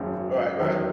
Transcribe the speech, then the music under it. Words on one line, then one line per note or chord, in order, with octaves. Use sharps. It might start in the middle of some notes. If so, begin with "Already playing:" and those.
Right, right.
Already playing: G#1 F#2 C#3 F#3
E2 D#3 F#3